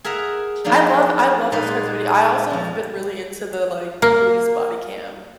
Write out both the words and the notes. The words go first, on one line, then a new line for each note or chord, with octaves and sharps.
I love I love those kinds of videos. I also have been really into the, like, police body cam
G#4 A#4 E5 F#5 A#5
F3 F#3 A#3 D4 D#4
A#2 G#3 D#4 B4 C5
F2 F3
A#3